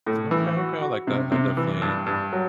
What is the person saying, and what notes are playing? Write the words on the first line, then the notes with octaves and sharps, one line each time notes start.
Okay, okay, I like that. I definitely
A2
E3
F#4
F#4
C3
C3
E3
G2
G2
F#3